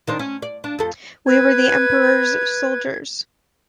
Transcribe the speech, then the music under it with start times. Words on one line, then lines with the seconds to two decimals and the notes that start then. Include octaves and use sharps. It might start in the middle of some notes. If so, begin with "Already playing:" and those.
We were the emperor's soldiers.
0.07 D#3 D4 C5
0.19 C#4
0.42 D5
0.64 D4
0.79 F2 A4
1.27 B4 G#6